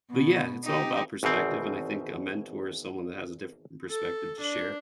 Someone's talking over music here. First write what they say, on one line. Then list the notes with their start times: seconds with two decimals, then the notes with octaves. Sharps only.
but yeah, it's all about perspective. And I think a mentor is someone that has a different perspective to share,
0.11 B2
0.65 D#4 G4
1.23 G#1 E2 B2 C4
3.90 A4
4.41 D4